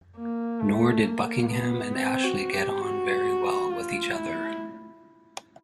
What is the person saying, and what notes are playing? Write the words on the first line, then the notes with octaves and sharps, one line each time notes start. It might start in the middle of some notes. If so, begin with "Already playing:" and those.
Nor did Buckingham and Ashley get on very well with each other.
A#3
A3
A#3
B3
C4
F#4
G4
F#4
F4
E4